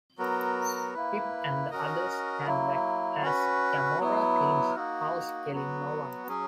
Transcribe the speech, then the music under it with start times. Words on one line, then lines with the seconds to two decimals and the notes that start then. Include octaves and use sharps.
Pip and the others hang back as Gamora cleans house, killing no one.
0.18 F#3 B3 F#4 A#4
0.94 A#3 E4 B4
1.71 C#4 F#4 A#4 D#5
2.46 F#3 A#3 E4
3.22 C#4 F#4 B4
3.99 F#3 B3 E4
4.75 A#3 D#4 F#4
5.52 F#3 B3 F#4
6.28 F#3 C#4 G#4